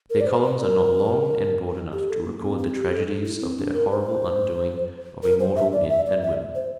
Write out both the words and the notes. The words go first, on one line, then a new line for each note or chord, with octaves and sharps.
Their columns are not long and broad enough to record the tragedies of their horrible undoing of immortal men and women.
A#4
D5
C5
C5
A#4
G4
A4
A#3
C4
C4
G4
A4
E4
C4
D4
A#4
C5
A#4
C5
E5
D5
E5
D5
E5
C5